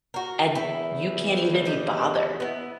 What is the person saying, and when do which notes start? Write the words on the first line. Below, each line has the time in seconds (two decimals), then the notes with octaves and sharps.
and you can't even be bothered.
0.14 F#4 A#4
0.55 E2 E4
1.65 G4 D#5
2.40 B3 E4